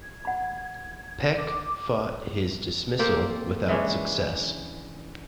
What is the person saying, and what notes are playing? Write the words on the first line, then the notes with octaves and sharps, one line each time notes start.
Peck fought his dismissal without success.
G#6
F#5 B5
D6
A#3 C4 G4 A4
E3 G#3 C#4 D4